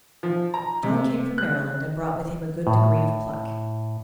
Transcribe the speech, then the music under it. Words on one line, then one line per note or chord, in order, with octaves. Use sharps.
John came from Maryland, and brought with him a good degree of pluck.
F3
A#5
C3
F#6
A2